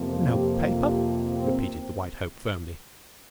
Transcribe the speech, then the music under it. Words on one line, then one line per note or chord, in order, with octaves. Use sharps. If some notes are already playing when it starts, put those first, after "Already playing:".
"No paper," repeated the White Hope firmly.
Already playing: F2 C3 F3 A#3
G4
G4
C4